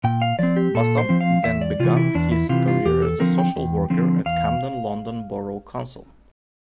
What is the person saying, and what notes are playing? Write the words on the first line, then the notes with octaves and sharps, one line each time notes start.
Bassam then began his career as a social worker at Camden London Borough Council.
A#2 G5
F5
F3 C4 D5
G4
A#2 A4
C5
F3 C4
F5
E2 E5
D5
C3 E3 F4
E4
E2 D4
E4
C3 E3 F4
F4
E2 G4
A4
D3 F3 C4 A#4
G5
E2
D3 F3 C4
E2 F5